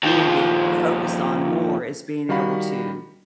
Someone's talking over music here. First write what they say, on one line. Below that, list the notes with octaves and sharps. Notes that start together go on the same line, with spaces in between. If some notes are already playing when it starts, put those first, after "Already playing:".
we need to focus on more is being able to
D#2 F3
D#3 G3 F#4 F5 B5